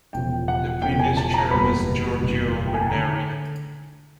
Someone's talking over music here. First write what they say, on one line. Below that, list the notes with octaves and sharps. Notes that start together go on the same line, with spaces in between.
The previous chair was Giorgio Veneri.
E1 E2 C#3 F3 G5
F#5
E1 E2 C#3 F3 G5
G#5
A5
A#5
F#1 E2 B2 G3 B3 B5
F#1 E2 B2 G3 B3
G5
G#5
A5
D3 A#5